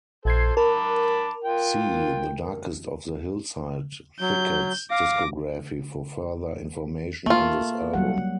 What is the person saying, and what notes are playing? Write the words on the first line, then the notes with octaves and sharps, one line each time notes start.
See The Darkest of the Hillside Thickets discography for further information on this album.
A#1 A4 C5 G#6 C7
A#4 A5 B5 D6
F4 G5
F#3 G6
F5 D6 A#6
A3 A#3 F4
F#3 G3 F#5